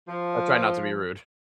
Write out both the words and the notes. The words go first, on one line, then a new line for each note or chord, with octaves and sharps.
I try not to be rude.
F3